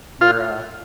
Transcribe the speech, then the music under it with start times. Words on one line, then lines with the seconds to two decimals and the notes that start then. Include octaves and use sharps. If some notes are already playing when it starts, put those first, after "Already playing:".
where, uh
0.21 F4